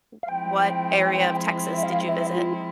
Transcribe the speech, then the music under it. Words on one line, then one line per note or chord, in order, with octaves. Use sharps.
W what area of Texas did you visit?
F5
F3 G#3 C4 E4 G5
E5
F5
E5
F4